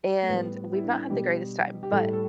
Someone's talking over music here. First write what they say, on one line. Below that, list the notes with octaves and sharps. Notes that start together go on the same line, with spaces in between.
and we've not had the greatest time, but
A3
A2 G3 B3
B3
E4
D4
B2 G3 G4
G4
A2 G3 A4
A4